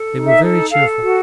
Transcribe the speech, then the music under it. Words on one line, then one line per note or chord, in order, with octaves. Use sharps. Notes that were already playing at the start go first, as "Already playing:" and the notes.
They were very cheerful.
Already playing: A4
D#4
E5
A4
A4 F5
F#4